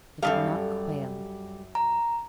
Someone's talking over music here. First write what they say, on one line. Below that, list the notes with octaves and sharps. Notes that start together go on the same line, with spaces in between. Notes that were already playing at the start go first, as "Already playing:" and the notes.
I did not quail.
F#2 D#3 G3 G4 A4 F5
A#5